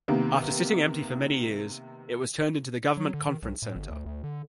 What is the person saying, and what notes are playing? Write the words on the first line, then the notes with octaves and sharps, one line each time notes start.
After sitting empty for many years, it was turned into the Government Conference Centre.
C3 D#3 A#3 B3
F#3
D3
D#3
B1
A2
G1
D2
D2
D3